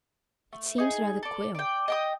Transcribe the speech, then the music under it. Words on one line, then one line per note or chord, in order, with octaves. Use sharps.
"It seems rather queer."
A3
D#4 G#4
A4 D5
D5 G5
D#5 G5 D#6